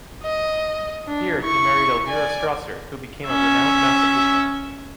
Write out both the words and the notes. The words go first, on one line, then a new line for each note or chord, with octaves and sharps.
Here, he married Elvira Strasser, who became a renowned mathematician.
D#5
D4
E4 C#6
D5 G#5
C#4 E5